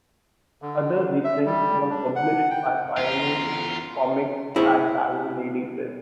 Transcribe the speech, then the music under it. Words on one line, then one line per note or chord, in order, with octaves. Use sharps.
Other reprints were published by Pioneer Comics and Dragon Lady Press.
D3
E5
G3
D4
F#5
G5
E2 F4 A#4
E4 G#4 C5 C#5